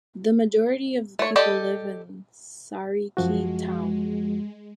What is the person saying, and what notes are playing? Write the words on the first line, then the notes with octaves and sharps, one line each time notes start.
The majority of the people live in Sarikei town.
A3 C#5
G4 A4 D5 D#5
F#2 F3 G#3 F#4